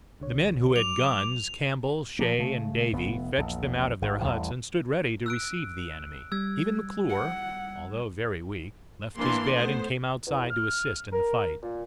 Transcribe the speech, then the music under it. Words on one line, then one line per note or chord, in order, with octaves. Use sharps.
The men who had guns--Campbell, Shay, and Davy--fetched them out of their huts and stood ready to receive the enemy; even McClure, although very weak, left his bed and came outside to assist in the fight.
C2 D3 C#5
F#3 D6 F7
F3 A#3
C#3 A3
F1 B3
A#1 E2
G#1 D#3
A1 E2 G2 G3
E6 F#6 D7
G3 E6 G#6
F#5
E3 A#3 D4 C6
A3 B3 C5
E2
F6
A#4
A#2